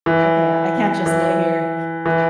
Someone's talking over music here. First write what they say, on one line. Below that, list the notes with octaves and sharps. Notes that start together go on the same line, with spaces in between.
ok, I can't just lay here,"
E3
E3
E3